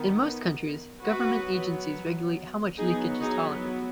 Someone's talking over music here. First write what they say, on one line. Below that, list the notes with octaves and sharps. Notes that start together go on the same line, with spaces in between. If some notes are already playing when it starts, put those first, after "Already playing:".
In most countries, government agencies regulate how much leakage is tolerated.
Already playing: D#3 B3
F#3 B3 F#4 B4
F#3 B3 D#4 G#4
D#4 G#4